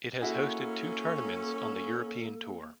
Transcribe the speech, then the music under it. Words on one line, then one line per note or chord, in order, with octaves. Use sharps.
It has hosted two tournaments on the European Tour.
A#3 C#4 E4 F#4 G#4 A4